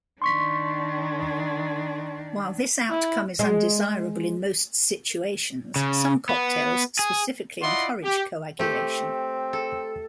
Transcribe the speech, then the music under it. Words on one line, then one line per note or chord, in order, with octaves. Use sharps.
While this outcome is undesirable in most situations, some cocktails specifically encourage coagulation.
D#3 D4 C6 C#6 B6
E4
G#3
C#3
B3
G#4
E4 F4 D5 D#5 F#5 C6
G4
A3 C4 G4
A4